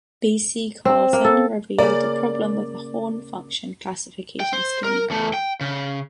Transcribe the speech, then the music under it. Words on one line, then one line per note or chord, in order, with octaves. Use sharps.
B. C. Carlson revealed a problem with the Horn function classification scheme.
C4
A#3
A4
C#3 A#3 D5
G5
C5
A#4
E2 A3
G5
C#3